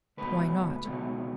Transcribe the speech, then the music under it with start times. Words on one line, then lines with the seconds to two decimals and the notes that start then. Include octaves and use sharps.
"Why not?"
0.17 C#2 B2 F#3 A3 B4
0.84 C#2 B2 F#3 A3